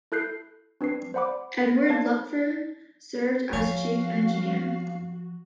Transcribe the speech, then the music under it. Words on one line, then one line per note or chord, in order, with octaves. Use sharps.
Edward Lupfer served as chief engineer.
E4 A4 F#6 G6 C7
C4 D4 B4 C7
C5 D5 F#5 B5 D6
A#3 D#4 D5 A5 G#6
F3 C#4 F#4 F5